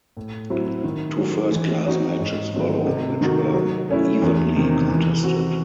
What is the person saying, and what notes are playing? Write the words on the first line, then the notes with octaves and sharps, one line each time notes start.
Two first-class matches followed which were evenly contested.
A2
F#3 C4 E4
D#3
F#3 A3 C#4
E3
C4 D#4 F#4 C#5
G#2
D#3 F#3 A3 C4
C3
D#3 A3 D#4 F#4
F#3
A3 C#4 E4
E2
C3 D#3
E3
C4 F#4